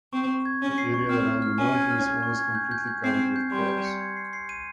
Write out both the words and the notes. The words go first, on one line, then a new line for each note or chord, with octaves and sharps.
The area around the mountain is almost completely covered with grass.
C4 C#6
C#6
G#6
C#4 C#6
C7
C#6
C4 F6
F6
F6
C#4 G#5
G#6
F6
G#6
C#6
G#6
G6
G6
G6
C4 C7
C7
G6
G3 C6
G6
C#7
G#6
C7
C7
D#7